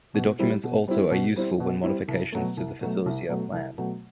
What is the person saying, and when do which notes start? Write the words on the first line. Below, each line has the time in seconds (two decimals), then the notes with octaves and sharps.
The documents also are useful when modifications to the facility are planned.
0.14 B2
0.39 G3 C4 E4
0.63 B2
0.88 G3 C4 E4
1.11 B2
1.36 G3 C4 E4
1.60 B2
1.84 G3 C4 E4
2.08 C2
2.32 B2 F#3 A3
2.57 C2
2.81 B2 F#3 A3
3.06 C2
3.29 B2 F#3 A3
3.53 C2
3.78 B2 F#3 A3